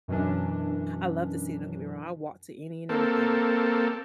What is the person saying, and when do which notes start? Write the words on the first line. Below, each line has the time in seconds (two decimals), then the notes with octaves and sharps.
I love the city, don't get me wrong. I walked to any and everything,
0.08 F#2 B2 E3 F#3 C#4 D4
2.89 A#3 C4 A4